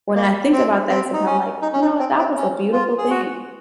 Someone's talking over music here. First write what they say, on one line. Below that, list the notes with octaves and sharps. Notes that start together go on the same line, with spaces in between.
when I think about that, sometimes I'm like, "You know what, that was a beautiful thing."
A#3
C4
C4
D#4
C#4
D#4
C#4
D#4
C4
C4
C#4
F4
G#4
F#4